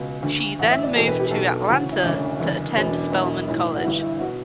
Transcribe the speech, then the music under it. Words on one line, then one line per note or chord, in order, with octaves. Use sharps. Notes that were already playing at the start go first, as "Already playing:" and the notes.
She then moved to Atlanta to attend Spelman College.
Already playing: C#2 B2
D2 D3
A1 A2 E3 F#5
E5
D5
E1 E2 B2 A4
B4
G4
B1 B2 A4
A4
D2 C#3 E3 F#4
E4
E1 D2 C#3 D4
F#1 E2 D3
E1 E2 B2 C#4
D4
D4
E1 E2 B2
B1 A2 E3
F#4
G1 G2 E3 E4
E4
B2 F#4